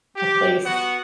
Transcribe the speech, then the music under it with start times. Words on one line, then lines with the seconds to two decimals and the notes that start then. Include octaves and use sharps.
a place,
0.16 G4
0.64 B3 F#4 F#5